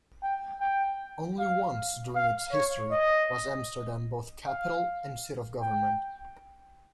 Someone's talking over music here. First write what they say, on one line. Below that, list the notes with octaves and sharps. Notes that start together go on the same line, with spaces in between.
Only once during its history was Amsterdam both "capital" and seat of government.
G5
G5
F5
F5
C#5
D#5
F5
G5